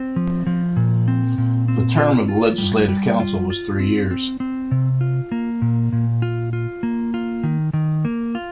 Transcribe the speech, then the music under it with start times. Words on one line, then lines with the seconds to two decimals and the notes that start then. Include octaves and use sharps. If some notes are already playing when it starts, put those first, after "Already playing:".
The term of the legislative council was three years.
Already playing: C4
0.16 F3
0.47 F3
0.76 A#2
1.08 C4
1.38 A#2
1.68 C4
1.98 F4
2.28 F4
2.58 G3
2.88 G3
3.20 F4
3.50 F4
3.80 C4
4.11 C4
4.40 C4
4.71 C3
5.01 F4
5.32 A#3
5.62 A#2
5.92 A#2
6.22 F4
6.53 F4
6.83 A#3
7.14 F4
7.43 D#3
7.73 D#3
8.05 A#3
8.35 F4